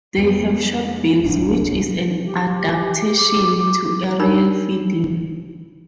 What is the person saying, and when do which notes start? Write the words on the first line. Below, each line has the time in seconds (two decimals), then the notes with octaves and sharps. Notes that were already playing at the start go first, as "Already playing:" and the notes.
They have short bills, which is an adaptation to aerial feeding.
0.18 F2 G#3 A3 B3
1.24 D1 C2 G#2 D4
2.25 G4
3.18 D6
4.19 D4 D#4 A#4 C#5 B5